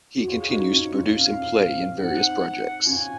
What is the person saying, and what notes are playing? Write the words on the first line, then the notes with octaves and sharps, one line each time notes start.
He continues to produce and play in various projects.
F#4
F4 G#4 C#5
D#4 F#4
C#4
C#4 F4
C#4 F5
C#4
C4
C#4
C4 D#4 F#5
C#4 F4 G#5